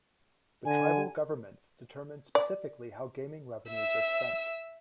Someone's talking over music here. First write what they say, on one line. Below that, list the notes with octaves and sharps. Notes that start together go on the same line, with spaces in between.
The tribal governments determine specifically how gaming revenues are spent.
D3 G#5
D5
E5 E6